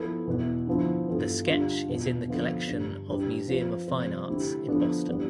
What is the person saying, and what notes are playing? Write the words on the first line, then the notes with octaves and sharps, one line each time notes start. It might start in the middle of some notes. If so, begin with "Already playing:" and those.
The sketch is in the collection of Museum of Fine Arts in Boston.
Already playing: F3 B3 E4 A4
E2 B2 B3 E4 B4
D3 F3 B3 E4
G2 E3 B3 F4 A4
D3 G3 D4 F4
E2 B2 B3 F4
D3 F3 B3 F4 A4
G2 D3 G3 D4
E3 G3 D4 G4 B4
F3 C4 F4 B4
C3 F3 C4
D3 A3 E4 G4
D3 F3 B3 D4 A4
E3 G3 B3 D4